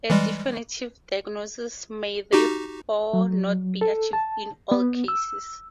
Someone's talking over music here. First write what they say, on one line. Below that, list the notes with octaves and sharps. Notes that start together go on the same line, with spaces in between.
A definitive diagnosis may therefore not be achieved in all cases.
E3 G3 G#3
D#4 F#4 G4
F#3
A4
A5
B3
E6